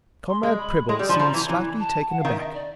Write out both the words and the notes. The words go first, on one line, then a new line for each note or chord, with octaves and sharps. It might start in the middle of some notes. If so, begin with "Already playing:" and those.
Comrade Prebble seemed slightly taken aback.
C6
G#3
B5
G#3
G3
F3 B5
F3 A#5
E3
E3
A5
F#5
F5
D#3
E5
D#5
D5